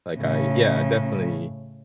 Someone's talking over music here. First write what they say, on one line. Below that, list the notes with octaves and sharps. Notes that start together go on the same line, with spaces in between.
like, I Yeah, I definitely,
A2 C#3